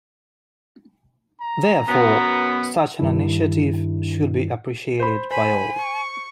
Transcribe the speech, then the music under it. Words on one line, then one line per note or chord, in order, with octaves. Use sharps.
Therefore, such an initiative should be appreciated by all.
A#5
F#2 B2 B3
G2 D#3 D4 E4
C5 B5
C5 G#5 B5
C#6